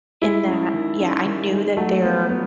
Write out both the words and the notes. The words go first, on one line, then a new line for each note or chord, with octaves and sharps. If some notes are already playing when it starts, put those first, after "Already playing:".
in that Yeah, I knew that there
G#3 E4
C#4
D#3
C#4
D#3
G#3
F#3 A3
B3
B3